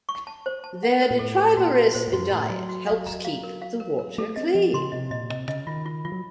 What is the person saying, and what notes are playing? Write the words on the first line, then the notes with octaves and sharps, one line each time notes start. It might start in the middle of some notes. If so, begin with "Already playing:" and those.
Their detrivorous diet helps keep the water clean.
C#6
A5
C5
A5
F#5
C5
A#2
A2 A4
A4
A#2 F#4
F#4
A#2 C5
A2
F#2 F#4
A2 F#4
F#3 F#4
F#4
F5
A#5
F5
A#4
F5
A#4
A#4
A3 A4
C4 D#5
F3 D#5
C#3 C6
C3 D#5
A#2 D#5
C3 D#5
C#3 D#5
D#3 F4
F4
F3 F4
F#3